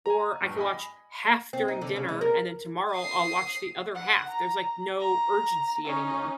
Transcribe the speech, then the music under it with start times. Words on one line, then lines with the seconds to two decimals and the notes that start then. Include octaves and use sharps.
or I could watch half during dinner, and then tomorrow I'll watch the other half, there's, like, no urgency anymore.
0.06 G#5 A#5
0.40 A#1 G2
0.57 D#5 G#5 B5
1.53 C4
1.68 D#4
1.81 D3
1.96 C#3
2.09 G#3
2.21 A#4
2.92 D#6 C7
3.94 F#5
4.29 A#5
4.99 A#5
5.85 C#4 D#4